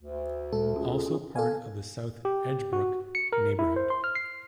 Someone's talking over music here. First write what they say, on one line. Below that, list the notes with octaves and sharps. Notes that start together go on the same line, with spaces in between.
Also part of the South Edgebrook Neighborhood.
D2
A#2 G#3 A4
C#4 F4 G#4
B3 A4 F5 G#5
G4
F#4
C#7
A#4
E4
C5
C6
F6
C7